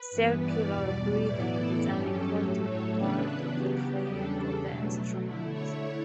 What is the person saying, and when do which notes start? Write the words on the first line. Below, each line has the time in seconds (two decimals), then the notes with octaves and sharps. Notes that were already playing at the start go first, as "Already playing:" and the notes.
Circular breathing is an important part of the playing of the instrument.
Already playing: B4
0.12 G2 E3 B3
0.41 D5
0.69 E2 B2 G3 D5
1.26 A2 E3 B3 E4
1.54 A4
1.82 G2 F#3 C#4 G4
2.11 A4
2.39 A2 F#3 A3
2.67 C#5
2.96 C#3 E3 B3 D4 B4
3.53 C#3 F#3 B3 G4
4.09 E2 C#3 G3 D4 A4
4.66 B2 F#3 A3
5.24 D3 A3 E4
5.52 C#5